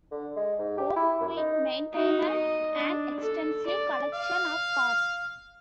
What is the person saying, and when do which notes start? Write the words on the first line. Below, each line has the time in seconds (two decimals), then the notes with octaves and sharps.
O'Quinn maintained an extensive collection of cars.
0.11 D3
0.36 G#3
0.59 G#2
0.77 G4
0.96 E4
1.20 F#2
1.37 D#4
1.94 D#4 F#4
2.29 D#5
2.72 D4
3.20 A4
3.66 D5
4.13 F5